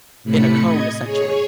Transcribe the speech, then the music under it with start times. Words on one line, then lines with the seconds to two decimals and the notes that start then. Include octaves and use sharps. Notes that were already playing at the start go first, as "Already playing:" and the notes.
in a cone, essentially.
0.24 A2 C3 A3 B5 C#7
0.59 D#5 G#6
1.02 G#4 C#5